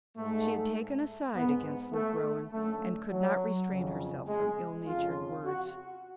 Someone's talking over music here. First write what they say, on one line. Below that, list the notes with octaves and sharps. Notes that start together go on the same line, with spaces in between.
She had taken a side against Luke Rowan, and could not restrain herself from ill-natured words.
G#2 A3
G#2 B3
A3
F#2 D3 A3
F#3
F2 C#3
G#3
F2 C#3 F4
F#4